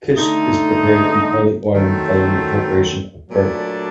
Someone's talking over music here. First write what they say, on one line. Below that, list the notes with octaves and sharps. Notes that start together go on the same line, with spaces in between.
Kishk is prepared in early autumn following the preparation of burghul.
D3 A3 D#4
D#3 F#3 A3 C4
A#2 F#3 A3 D4